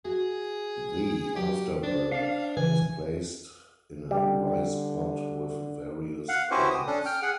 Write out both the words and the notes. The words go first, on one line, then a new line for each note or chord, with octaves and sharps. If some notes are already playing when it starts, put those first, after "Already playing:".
The afterbirth is placed in a rice-pot with various plants.
F#4 G#4
F#3 G4
C#4 D4 C5
D4 F5
C#3 E3 G#5
D3 G3
F5 F#5
C#4 E4 F#4 G4 B4 C5
D#6
C#4 D4 A4
G5 F6
G#4 F#5